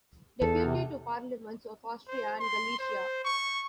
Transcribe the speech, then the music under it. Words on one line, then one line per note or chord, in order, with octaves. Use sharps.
Deputy to parliaments of Austria and Galicia.
E2 A4
C3
C5
C6
C5
C#6